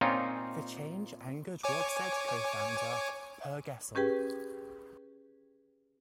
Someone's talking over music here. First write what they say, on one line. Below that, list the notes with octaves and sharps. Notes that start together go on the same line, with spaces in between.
The change angered Roxette co-founder Per Gessle.
A#2 C4 C#4 D#4 F4
C#5 G#5 D6
C#4 G4 G#4 B4 G5